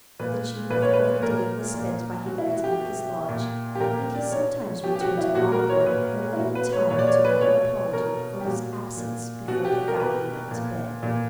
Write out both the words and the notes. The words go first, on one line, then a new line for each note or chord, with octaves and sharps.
The chief of every day was spent by him at Lucas Lodge, and he sometimes returned to Longbourn only in time to make an apology for his absence before the family went to bed.
A#2 B4
A#2 B4
C#5
B4
A#2 A#4
A#2
B2 F#4
E4
F#4
G4
B2
A#2
G4
A#2 A#4
D5
B2 C#5
B2 G4
G4
F#4
E4
A#2 F#4
A#4
C#5
A#2 B4
E4
A#2 F#4
B4
C#5
A#2 C#5
D5
C#5
B4
B2 C#5
B2 A#4
G4
A#2 F#4
A#2
B2 F#4
G4
A#4
B2 B4
A#2
A#2